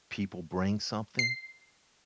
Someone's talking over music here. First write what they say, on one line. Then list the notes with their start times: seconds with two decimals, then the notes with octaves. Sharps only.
people bring something
1.19 C7